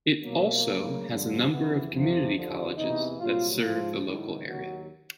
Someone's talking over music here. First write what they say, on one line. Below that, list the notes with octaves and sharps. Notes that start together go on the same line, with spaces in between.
It also has a number of community colleges that serve the local area.
C2 B2 F#3 A#3
D2 C#3 F#3
G2 D3 F3
F2 C#3 E3 B3
F2 C3 F3
D#2 D3 F3
E2 C3 E3 D#4
C2 A#2 F#3 F4
G#2 F3 F4
G#2 D#3 F#3 E4
D#2 D#3 F#3 F#4